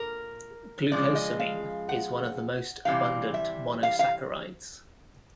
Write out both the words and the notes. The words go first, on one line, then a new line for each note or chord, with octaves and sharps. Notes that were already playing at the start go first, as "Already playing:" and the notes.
Glucosamine is one of the most abundant monosaccharides.
Already playing: A#2 A#4
C#3 F3 G#3 D5
D#5
F5
F#5
C3 E3 G3 F5
E5
F5
F5